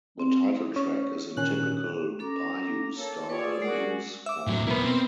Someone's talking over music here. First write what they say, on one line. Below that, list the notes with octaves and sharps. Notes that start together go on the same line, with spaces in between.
The title track is in typical Bayou-style blues format.
C4
C#4
A#2 D#3 C#4 F#6
C#4 A4 A#5 D6
A#3 A4 C#5
F4 G#4 B4 C#5 D5
G#3 F#4 A#4
E5 D6
A2 F#3
B2 A#3 B3 E4
C4